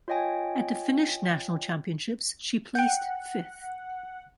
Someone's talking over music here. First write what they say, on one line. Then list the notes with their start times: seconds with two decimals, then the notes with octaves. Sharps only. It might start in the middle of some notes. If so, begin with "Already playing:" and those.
At the Finnish national championships she placed fifth.
0.08 F4 C#5 D#5 G5 G#5
2.75 F#5 G5 G6